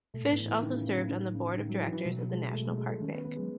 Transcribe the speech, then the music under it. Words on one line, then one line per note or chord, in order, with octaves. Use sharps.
Fish also served on the board of directors of the National Park Bank.
B2 A3
A2 B3
G#2 E3
A2
E3
D#3
C#3
C#3
D#3
D#3
C#3
D#3
F#3
E3
E3
B2 F#3
G#3
A3
G#3
G#3
A3
D#3 C#4
B3
B3
G#3
F#3